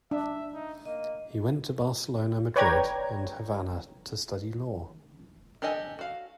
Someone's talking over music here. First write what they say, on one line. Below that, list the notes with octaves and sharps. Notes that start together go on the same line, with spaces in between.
He went to Barcelona, Madrid, and Havana to study law.
D4 E5
D#4
A#3 D#5
B4 C#5 D5 G5 A#5 G#6
D4 G4 A4 D#5 G#5
F#4 F5